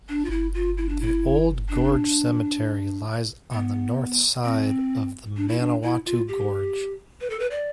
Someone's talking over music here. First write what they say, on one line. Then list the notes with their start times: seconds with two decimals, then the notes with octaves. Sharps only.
The Old Gorge Cemetery lies on the north side of the Manawatu Gorge.
0.09 D4
0.25 F4
0.31 E4
0.54 F4
0.77 E4
0.89 D4
1.01 E4
1.69 D4
3.52 B3
4.44 C4
5.37 D4
5.48 E4
5.59 D4
5.83 E4
6.06 F4
6.28 G4
7.21 B4
7.30 A4
7.39 B4
7.51 D5